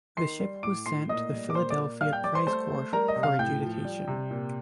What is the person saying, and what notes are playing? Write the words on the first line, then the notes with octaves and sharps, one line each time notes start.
The ship was sent to the Philadelphia Prize court for adjudication.
D#3 C6 C7
G3
A2 D6 D7
A2 C6 C7
A#2 D#5 D#6
G3
D6
A#2 C5 C6
D5 D6
A#2
G3 F5 F6
G5 G6
G3 D5 D6
C5 C6
A3 C5 C6
A3
G3 A#4 A#5
D#5 D#6
C3
F5 F6
A2 G5 G6
F3
G3
C3
A#2